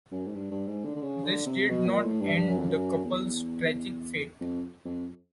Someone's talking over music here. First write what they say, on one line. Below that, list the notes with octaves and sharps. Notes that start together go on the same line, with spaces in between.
This did not end the couple's tragic fate.
F#2
G#2
G2
G2
G#2
D3
D3
C#3
D3
C3
B2
A#2
A2
G2
G2
F#2
F2
F#2
E2
F2
F2